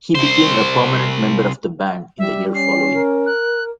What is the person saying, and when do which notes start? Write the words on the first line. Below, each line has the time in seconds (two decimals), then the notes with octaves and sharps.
He became a permanent member of the band in the year following.
0.15 C2 C5
2.19 G3 E5
2.55 C#4 C7
2.94 A#4
3.26 F#6